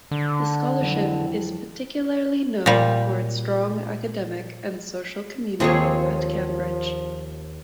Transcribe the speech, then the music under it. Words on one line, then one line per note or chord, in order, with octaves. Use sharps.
The scholarship is particularly known for its strong academic and social community at Cambridge.
D3
F2 E3 F#3
A#2 G3
D#2 F3 C4 F4 G#4 A4 C#5